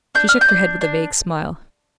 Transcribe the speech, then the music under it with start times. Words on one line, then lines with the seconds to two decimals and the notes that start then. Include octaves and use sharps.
She shook her head with a vague smile.
0.15 D4 G6
0.29 F6
0.41 G6
0.48 D4
0.81 D4